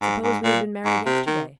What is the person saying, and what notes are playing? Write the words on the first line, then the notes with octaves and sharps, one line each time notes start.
Suppose we had been married yesterday?
G#2
G#2
A#2
G#2
C3
D#3